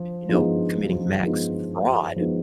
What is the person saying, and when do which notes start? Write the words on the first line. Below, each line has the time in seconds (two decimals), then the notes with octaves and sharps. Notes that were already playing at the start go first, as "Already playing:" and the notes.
you know, committing max fraud,
Already playing: F3
0.29 F3 G#3 B3 D#4
1.23 F3 G#3 B3 D#4
2.16 F3 G#3 B3 D#4